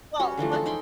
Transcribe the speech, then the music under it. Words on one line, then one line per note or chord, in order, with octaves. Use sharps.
Well, what
G3 C#4 F#4
D3 E3 F3 A3
G#3 C#4 G#4 A4
D#4 G5 B5 C6